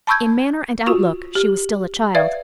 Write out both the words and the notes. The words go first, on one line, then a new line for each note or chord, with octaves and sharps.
In manner and outlook she was still a child.
A5 B5 C#6 E6 G6 G#6
F4 F#4 C#6
G4 F6
B4 D5 E5 F5 G#6